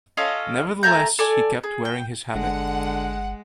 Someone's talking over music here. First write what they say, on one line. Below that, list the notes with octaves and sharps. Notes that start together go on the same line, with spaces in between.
Nevertheless, he kept wearing his habit.
C#4 F4 A4 D#5
A3 G#5 A#5 G6
A4 D5 G#5
G#4
G5
G1 D3 G#3 F#5